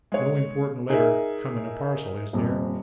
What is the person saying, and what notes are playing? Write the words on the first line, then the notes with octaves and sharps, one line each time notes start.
No important letter come in a parcel, is there?'
G#3 C#5
D#4 G#4 A#4 E5
D#1 F2